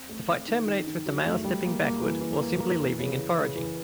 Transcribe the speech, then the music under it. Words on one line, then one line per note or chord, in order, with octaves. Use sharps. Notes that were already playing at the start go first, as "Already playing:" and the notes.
The fight terminates with the males stepping backward, or simply leaving and foraging.
Already playing: C4
A3
C4
D#3
D#3
D#3
F#3
A3
G3
A#3
A#3
E3
E3
A#3
A#3
E3
C#3
E3
C#3
E3